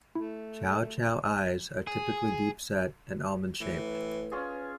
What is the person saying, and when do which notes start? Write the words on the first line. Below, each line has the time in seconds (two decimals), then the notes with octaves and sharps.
Chow Chow eyes are typically deep set and almond shaped.
0.15 A3 E4
1.87 G#4
3.61 A2 E3 B4
4.31 C#4 F4 G#4